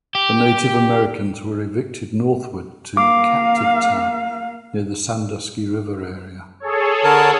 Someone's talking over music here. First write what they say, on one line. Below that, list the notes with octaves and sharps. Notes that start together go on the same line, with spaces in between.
The Native Americans were evicted northward to "Captive Town" near the Sandusky River area.
G4
A#3 F5 D6
G#4 A4 C#5
D3 A#4 A5